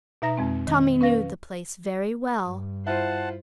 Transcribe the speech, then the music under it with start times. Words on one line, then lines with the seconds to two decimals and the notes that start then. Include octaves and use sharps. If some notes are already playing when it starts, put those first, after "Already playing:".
Tommy knew the place very well.
0.22 B2 D#4 E5 A#5 A#6
0.37 F2 G#3 C4
0.67 D#3
1.01 C#4 B4 F5 A#6
2.45 G2
2.87 E4 F4 C5 F#5 A5